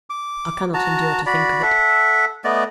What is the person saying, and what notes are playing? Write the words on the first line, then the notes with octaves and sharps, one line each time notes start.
I cannot endure to think of it.
D6
F#4 A5 A#5
F#4 D5 B5
A4 E5 F#5
A3 B3 D5 D#5